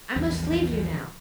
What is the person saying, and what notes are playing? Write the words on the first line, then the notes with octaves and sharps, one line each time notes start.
I must leave you now.
A#1 E2